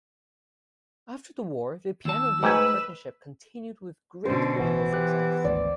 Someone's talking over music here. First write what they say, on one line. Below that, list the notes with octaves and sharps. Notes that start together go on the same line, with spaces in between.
After the war the piano duo partnership continued with great critical success.
D#2 A5 E6
G#2 A3 B4 G5 G#5
B2 D3 C#4 C5
A1 E3 B3 F#4
G4 F#6
G#1 D2 D5